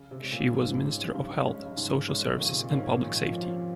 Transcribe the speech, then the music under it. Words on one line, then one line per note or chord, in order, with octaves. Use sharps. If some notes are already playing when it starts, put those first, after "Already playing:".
She was Minister of Health, Social Services and Public Safety.
Already playing: C#3
C3
G#3 C#4
A#2
G#2 C#3
G#3 C#4
G#2
G2 C#3
G#3 C#4
G2
G#2 C#3
G#3 C#4
A#2 D#3
C3
A#2
G#2 A#3 C#4
A#2 D#3
F3
A#3 C#4
F3